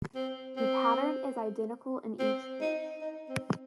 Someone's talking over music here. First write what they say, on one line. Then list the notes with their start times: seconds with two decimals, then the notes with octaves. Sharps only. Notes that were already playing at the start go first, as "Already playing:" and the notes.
The pattern is identical in each case.
0.15 C4
0.56 C4
2.19 C4
2.61 D#4
3.01 D#4
3.29 C4